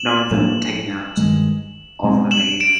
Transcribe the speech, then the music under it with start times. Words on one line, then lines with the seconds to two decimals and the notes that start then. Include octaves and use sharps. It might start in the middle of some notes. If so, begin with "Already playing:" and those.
None of them were taken out of Romania.
Already playing: E7 F#7
0.31 A2 F3 A#3 D4
1.17 G2 D#3 G#3
2.03 B2 G#3 C4
2.31 E7 F#7
2.60 D7 E7